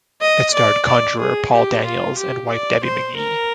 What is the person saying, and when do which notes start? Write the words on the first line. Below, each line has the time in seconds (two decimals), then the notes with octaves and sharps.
It starred conjuror Paul Daniels and wife Debbie McGee.
0.21 D#5
0.54 D5
0.87 D5
1.20 G#4
1.53 G4
1.85 F4
2.18 G4
2.50 D5
2.84 C5
3.16 A#4